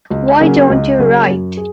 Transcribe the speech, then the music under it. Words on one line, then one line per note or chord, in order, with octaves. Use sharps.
Why don't you write?
C#2
C#3 F#3 A#3 C#4
C#2
C#3 F#3 A#3 C#4
F#2
G#4